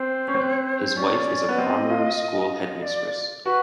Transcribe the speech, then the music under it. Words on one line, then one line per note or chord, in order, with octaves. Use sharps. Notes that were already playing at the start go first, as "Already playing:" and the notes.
His wife is a primary school headmistress.
Already playing: C4 C5
C#4
C4
C#4 D5
C#4
B3
C4 D#5
F4
D5
F#4 B4